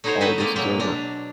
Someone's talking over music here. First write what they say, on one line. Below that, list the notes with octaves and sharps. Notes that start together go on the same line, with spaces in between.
all this is over,
A3 D#4 E4 F#4 C5 C#5
D#4 F#4 B4 D#5 E5 A5
G#3 A#3 C4 D5 D#5
A#2 F#3 G#3 A#3 E5 G5
B2 D4 A#5